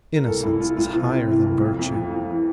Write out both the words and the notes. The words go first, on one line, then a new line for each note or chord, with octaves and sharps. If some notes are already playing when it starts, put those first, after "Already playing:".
Innocence is higher than virtue.
A#4
C2 A4
C2 E4
C2 F4
C2 F4
C3 F4
C3
E3
C2
F2
F2
F2
F2
E3